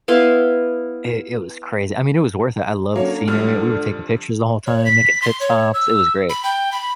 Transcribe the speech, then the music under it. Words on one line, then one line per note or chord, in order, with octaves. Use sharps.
It it was craz I mean, it was worth it, I loved the scenery, we were taking pictures the whole time, making pit stops, it was great.
B3 E4 F5 C6
D3 F#3 A#3 C#4 C#5
F2 G#2 G3 D4 F6
C#5
B6
C6
C#5
E6
B5
G5
B5